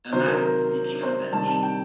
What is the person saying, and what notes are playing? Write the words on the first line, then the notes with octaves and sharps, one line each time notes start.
A man sleeping on a bench.
C3 D#3 F#3 C5
A#4
A#4
C5
C3 D#3 G3 C4 A5
A5
G5